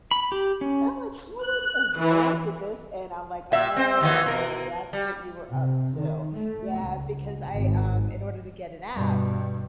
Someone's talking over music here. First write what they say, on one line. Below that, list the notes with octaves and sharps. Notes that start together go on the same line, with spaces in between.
and I'm like, "How in the world did this?" And I'm like, "Oh, that's what you were up to." Yeah, because I um, in order to get an app,
B5
G4
C#4
F#6
E3
A#2 E5
C4 C5
D#2 D#3 E3
B2 A#4
G3
C3
D#3
A3
C#2
G#1
G2 B2